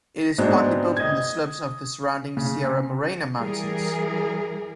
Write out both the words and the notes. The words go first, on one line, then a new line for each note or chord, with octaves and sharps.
It is partly built on the slopes of the surrounding Sierra Morena mountains.
G#2 F#3 G#3 B3 C4 D4
D#5 G#6
C#3
E3 G3 G#4 A#4